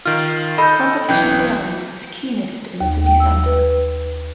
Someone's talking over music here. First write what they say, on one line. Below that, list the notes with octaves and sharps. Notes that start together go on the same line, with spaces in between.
Competition for land is keenest in the city centre.
D#3 F4 F6
A4 D#5 B5 G6
B1 E3 G5 G6
D#2
G5
E6
B4